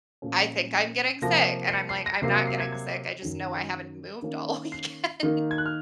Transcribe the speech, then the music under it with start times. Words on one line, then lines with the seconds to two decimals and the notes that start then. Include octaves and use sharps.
I think I'm getting sick and I'm, like, I'm not getting sick. I just know I haven't moved all weekend.
0.22 A#2 F3 A#3 C#4
1.22 C3 F3 A#3 A#6
1.68 C7
1.72 C#7
1.89 C7
2.06 A#6
2.22 C3 F#3 A#3 C7
2.35 C#7
2.47 C7
2.60 G#6
2.73 G#6
3.22 F#2 D#3 F#3 C#4
4.22 D#3 A#3 C#4
4.72 C7
5.23 D#3 A#3 D#4
5.51 G#6
5.58 F#6
5.66 F6